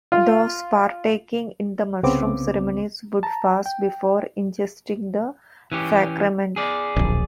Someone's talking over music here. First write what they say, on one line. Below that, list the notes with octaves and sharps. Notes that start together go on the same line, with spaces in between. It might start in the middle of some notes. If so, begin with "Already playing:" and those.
Those partaking in the mushroom ceremonies would fast before ingesting the sacrament.
F4
C2 C#3 B3 C4 D6
A5 A#5
G5
E3 C#4 G4
G#4 D5
D1 A#1